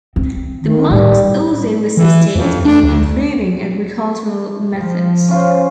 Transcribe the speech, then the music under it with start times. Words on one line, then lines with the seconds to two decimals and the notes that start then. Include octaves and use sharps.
The monks also assisted in improving agricultural methods.
0.16 C4
0.61 D#3
0.91 A2 G3
1.97 E3
2.35 F2
2.65 D4
2.83 D2
4.75 F3
5.29 C#4 F4 C5